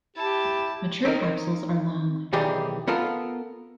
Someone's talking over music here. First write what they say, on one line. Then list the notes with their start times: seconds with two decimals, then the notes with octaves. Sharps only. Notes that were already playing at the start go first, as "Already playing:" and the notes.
Mature capsules are long.
0.16 E4 G4 A5
1.05 C4 D#4 A#4
2.33 B1 D#3 E3 G4 G#4 D5
2.88 B3 F4 A4 A#4